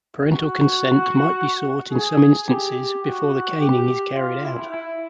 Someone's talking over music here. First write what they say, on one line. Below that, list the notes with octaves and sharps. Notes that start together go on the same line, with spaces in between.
Parental consent might be sought in some instances before the caning is carried out.
F#4
G#4
G4
F#4
G4
F4
E4
E4